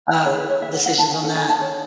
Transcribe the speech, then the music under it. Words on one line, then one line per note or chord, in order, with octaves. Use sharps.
um, decisions on that,
E4 G#4 B4 C#5
B4
C#5
E5
F#5
F#5
A5
G#5
D4 A4 F#5
G#5
A5
C#5